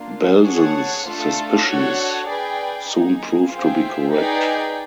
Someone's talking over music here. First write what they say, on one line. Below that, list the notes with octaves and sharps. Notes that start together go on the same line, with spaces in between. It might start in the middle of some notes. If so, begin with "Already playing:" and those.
Belzen's suspicions soon proved to be correct.
Already playing: A#3 D4 F4
G#4 C#5 F#5 A5
A3 D4 F4 A4
D4 F#4 A4 C#5 F#5
G#4 B4 D5 G5
A#3 D#4 G#4
F4 G#4 C5 E5 G5
D#4 G#4 B4 D5 G5